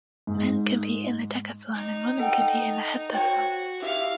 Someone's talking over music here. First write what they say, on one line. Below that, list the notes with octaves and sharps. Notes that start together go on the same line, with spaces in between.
Men compete in the decathlon and women compete in the heptathlon.
G#2
D#4
A4 F#5 G5
F#4 C5 C#5 G5
E4 G4 E5 F5